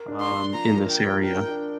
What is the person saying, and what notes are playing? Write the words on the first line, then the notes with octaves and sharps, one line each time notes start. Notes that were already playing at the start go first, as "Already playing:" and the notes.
um, in this area,"
Already playing: A#4
D4
C6
D4
F3 A#5
A#4
G5
A#4
A#4 G5
D4